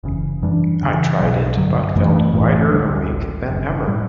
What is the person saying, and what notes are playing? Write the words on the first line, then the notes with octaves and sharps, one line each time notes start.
I tried it, but felt wider awake than ever.
F#1 E2 C#3
F#2 E3 G3 D4
E2 C#3 E3
B1 B2 F#3
G2 D3 F#3
F#2 E3 A3
A1 A2 E3 A3
D2 D3 G3
A1 A2 G3
F#1 F#2 C#3
A2 G3